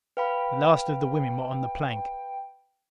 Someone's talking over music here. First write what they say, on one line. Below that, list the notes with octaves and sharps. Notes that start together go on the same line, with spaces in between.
The last of the women were on the plank.
B4 F5 G5 B5